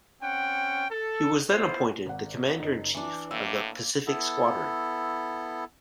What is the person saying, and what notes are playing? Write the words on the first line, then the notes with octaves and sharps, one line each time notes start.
He was then appointed the Commander-in-Chief of the Pacific Squadron.
C4 C#4 F#5 G5
A4
B3 E4 F4 C5
G#1 F#5
F#1 D#4
E3 D4 E4
A2 A#3 E6
B3 E4 A4